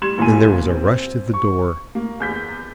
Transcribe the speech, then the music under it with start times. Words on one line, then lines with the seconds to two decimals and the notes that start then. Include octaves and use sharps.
Then there was a rush to the door.
0.02 G3 C6 G#6 E7
0.18 E1 A#2 A#3 G#5 D#7
0.71 C4
1.34 C#6
1.95 A#3
2.20 E2 G6 B6